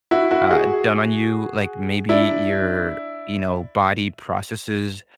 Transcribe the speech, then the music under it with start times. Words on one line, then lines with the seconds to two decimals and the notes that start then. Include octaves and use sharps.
uh, done on you, like, maybe your you know body processes
0.11 E4 F#4
0.31 E4 F#4
0.51 F#4 G#4
2.09 D4 E4